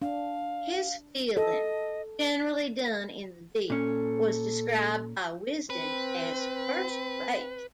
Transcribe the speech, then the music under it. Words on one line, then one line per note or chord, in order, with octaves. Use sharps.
His fielding, generally done in the deep, was described by "Wisden" as "first rate".
D4 F5
A4 D#5
A#2 C#4 A4
C4 B4